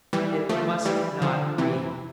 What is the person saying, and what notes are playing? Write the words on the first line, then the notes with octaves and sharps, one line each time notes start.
It must not be!...
E3 G3
F3 A3
E3 G3
D3 F3
C3 E3